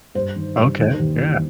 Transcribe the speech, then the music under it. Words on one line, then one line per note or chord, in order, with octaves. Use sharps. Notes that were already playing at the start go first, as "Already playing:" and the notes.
Okay. Yeah.
G2 C5
D#3
G2
D#2
D#2
E3